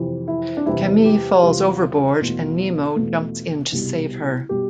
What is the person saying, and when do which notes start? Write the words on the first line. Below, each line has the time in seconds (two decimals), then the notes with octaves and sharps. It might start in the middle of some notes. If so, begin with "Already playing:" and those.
Camille falls overboard and Nemo jumps into save her.
Already playing: F2 C3 E3
0.28 E4
0.57 D4
0.66 E2 C3 G3 E4
1.05 G4
1.43 E2 C3 G3 F4
2.20 E2 B2 A3
2.96 E2 B2 A3
3.72 C2 B2 G3
4.49 B2 G3 G4